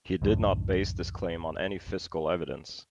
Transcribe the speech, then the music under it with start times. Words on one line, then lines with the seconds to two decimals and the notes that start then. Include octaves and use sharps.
He did not base this claim on any physical evidence.
0.22 B1 F2 G#2 D3